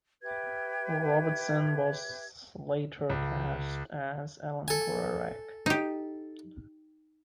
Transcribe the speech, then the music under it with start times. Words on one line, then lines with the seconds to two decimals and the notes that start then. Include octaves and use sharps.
Robinson was later cast as Elim Garak.
0.23 G4 B4 E5 G#6
3.10 C#2
4.68 A4 G#5
5.66 D#4 G4